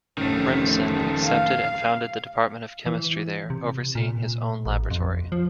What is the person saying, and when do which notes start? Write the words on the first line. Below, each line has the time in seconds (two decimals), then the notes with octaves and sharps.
Remsen accepted and founded the department of chemistry there, overseeing his own laboratory.
0.18 F1 D3 D#3 A3 C#4
1.24 F5
2.86 E3
3.50 C3
3.95 A#2
4.66 A1
4.91 F2
5.32 F3